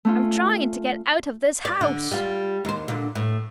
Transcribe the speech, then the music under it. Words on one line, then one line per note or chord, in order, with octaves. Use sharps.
"I'm trying to get out of this house!"
A3 C#4 F4
D5
D3
G3 F4
D#2 C5
A#2 D3
A2